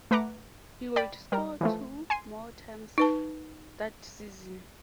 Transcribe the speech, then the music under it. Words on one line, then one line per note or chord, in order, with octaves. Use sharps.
He would score two more times that season.
A3 B4 F#5 A#5 D6 F#6
D5 G5 B5
G3 A#4 A#5
E3 F3 A3
G#5 C6 C7 D#7
D#4 B4 A5